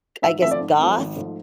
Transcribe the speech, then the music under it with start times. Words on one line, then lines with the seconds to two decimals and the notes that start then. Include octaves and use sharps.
k I guess, goth,
0.22 G#2 E5
0.42 F3 A3 C4 E5
0.51 D5
0.61 G#2
0.79 F3 A3 C4
0.98 G#1
1.16 G#2 F3 A3